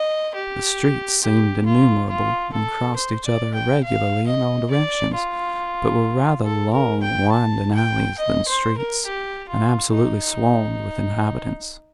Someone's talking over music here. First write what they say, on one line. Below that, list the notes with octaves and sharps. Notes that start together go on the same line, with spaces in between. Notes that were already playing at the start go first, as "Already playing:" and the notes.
The streets seemed innumerable, and crossed each other irregularly in all directions, but were rather long winding alleys than streets, and absolutely swarmed with inhabitants.
Already playing: D#5
G4
G4
F4
F4
A4
C5
D5
G5
F5
D#5
D5
F4
A4
A#4
G5
A5
G5
D#5
C5
A#4
G4
F4
D#4